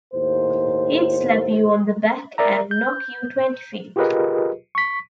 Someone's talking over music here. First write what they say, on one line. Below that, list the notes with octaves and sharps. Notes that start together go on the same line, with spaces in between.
He'd slap you on the back and knock you twenty feet.
D#2 A2 C5
A#4 D5 E5 A#5
G6
F4 G4 G#4 A#4 B4 D#5
C#6 B6